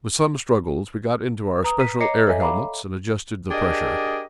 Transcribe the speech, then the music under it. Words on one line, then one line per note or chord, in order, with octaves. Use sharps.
With some struggles, we got into our special air helmets and adjusted the pressure.
B4 A#5 D#6
B6 D#7
C#5 D#5 A#5 D6 C7 C#7
A4 C#5 D#5 E5 G#5
F5 A#5 B5 D6
D4 G4 G#4 A#4 D#5